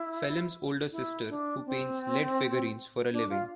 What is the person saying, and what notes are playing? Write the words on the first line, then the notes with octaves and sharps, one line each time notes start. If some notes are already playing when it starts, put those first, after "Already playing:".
Phelim's older sister, who paints lead figurines for a living.
Already playing: E4
E4
D4
C4
D4
F4